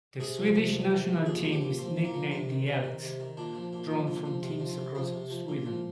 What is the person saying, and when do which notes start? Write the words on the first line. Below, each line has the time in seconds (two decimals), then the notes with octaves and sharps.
The Swedish National team is nicknamed the Elks, drawn from teams across Sweden.
0.20 C3 G#4
0.38 F3
0.55 C3
0.73 F3
0.91 C3
1.08 F3
1.26 A#2 G#4
1.44 F3
1.52 G4
1.61 A#2
1.79 F3 C4
1.96 A#2
2.04 A#3
2.14 F3
2.31 C3 C4
2.49 D#3
2.67 C3
2.84 D#3
3.02 C3
3.20 D#3
3.37 A#2 D4
3.55 F3
3.73 A#2
3.90 F3
4.07 A#2
4.25 F3
4.43 C3 C4
4.60 F3
4.69 C4
4.78 C3
4.95 F3 C4
5.14 C3
5.30 F3
5.48 A#2
5.66 F3